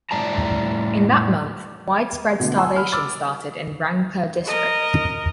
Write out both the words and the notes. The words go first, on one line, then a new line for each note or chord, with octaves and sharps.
In that month widespread starvation started in Rangpur district.
A2 G3 D5 A5 A#5
B2 D3 A3
F#5 G#5 A5 C6 D#6 E6
B5 F6
B5 D6 E6 F6 A6
A#4 D#5